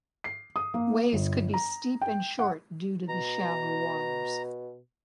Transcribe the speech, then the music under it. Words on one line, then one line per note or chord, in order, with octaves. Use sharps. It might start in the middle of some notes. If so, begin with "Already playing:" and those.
Waves could be steep and short due to the shallow waters.
C7
D#6
A#3
G1
A#5
G5
F#5
B2 A#5